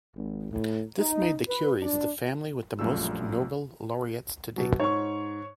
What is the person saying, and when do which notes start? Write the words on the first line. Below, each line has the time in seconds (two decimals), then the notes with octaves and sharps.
This made the Curies the family with the most Nobel laureates to date.
0.16 G#1
0.51 A2
0.99 D#4
1.48 B4
1.82 D4
2.79 A#1 F#2 G3 A3 F4 E6
4.56 B2 F#3
4.80 G#2 C#5 C#6